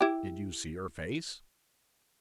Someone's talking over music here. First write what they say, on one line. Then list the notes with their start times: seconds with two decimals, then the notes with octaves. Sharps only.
"Did you see her face?"
0.01 E4 G4